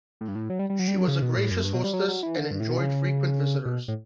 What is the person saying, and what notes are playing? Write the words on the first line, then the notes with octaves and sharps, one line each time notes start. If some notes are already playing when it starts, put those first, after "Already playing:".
She was a gracious hostess and enjoyed frequent visitors.
A2
G2
A2
F#3
G3
G3
F#3
G3
F#3
C#3
B2
A2
F#2
G2
B2
G3
F#3
F#3
E3
D3
G2
A2
B2
C#3
B2
A2